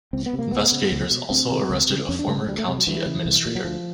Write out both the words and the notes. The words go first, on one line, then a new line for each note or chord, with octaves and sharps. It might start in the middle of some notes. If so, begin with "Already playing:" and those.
Investigators also arrested a former county administrator.
C#2 C4
B3
C3
A#3
C#2 B3
C#3
C#2
B2
D2 C4
C3
C#2
C#3
F2 C#4
D4
C#3 A3
G#3
D2 G3
A3
C3 G#3
F#3
D2 E3
C#3
C2
A#2
F#3
D2 F3